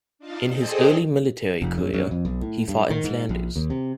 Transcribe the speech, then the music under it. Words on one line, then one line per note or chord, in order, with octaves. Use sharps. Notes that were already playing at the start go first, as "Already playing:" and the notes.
In his early military career, he fought in Flanders.
D4 D#4 F4 F5 A5
G#4 A4 C5 D5 D#5 G5
F1
F#2
F#2
F2
B1
A2
G2
D#3
G#2
A#1
D#2
C3